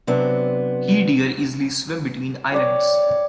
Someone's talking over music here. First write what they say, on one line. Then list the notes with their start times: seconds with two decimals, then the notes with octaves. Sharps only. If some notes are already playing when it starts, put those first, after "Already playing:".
Key deer easily swim between islands.
0.07 C3 F#3 B3 C4 D4
2.52 C#5 D5 G5